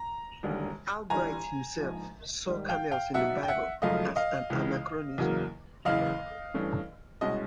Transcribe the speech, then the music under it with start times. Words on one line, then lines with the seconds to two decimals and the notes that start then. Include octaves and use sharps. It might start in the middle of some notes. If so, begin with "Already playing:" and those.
Albright himself saw camels in the Bible as an anachronism.
Already playing: A#5
0.43 E1 D#2 D3 G3
1.10 G1 G2 E3 G3 G#5 A#5
1.78 A#1 G#2 F3
2.46 G#2 D#3 G3
2.69 F5 G5
2.91 F5 G5
3.14 B1 B2 F#3 E5 F#5
3.43 G5
3.48 E5 F#5
3.82 G#1 F#2 C#3 F3 A3 D#5 F5
4.16 D#5 F5
4.50 C#2 C#3 E3
5.18 E2 C#3 F#3 A#3
5.85 F#1 E2 C#3 E3 D#5 F5
6.54 G2 E3 A3 C#4
7.21 C2 B2 G#3 C#4 D#5